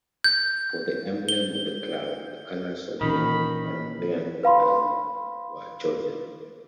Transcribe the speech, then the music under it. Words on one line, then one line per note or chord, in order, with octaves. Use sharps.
For the emblem of the club, the colors of the Paraguayan flag were chosen.
G6
G7
A#2 D#3 E3 C#4 B5
B4 F5 B5 C6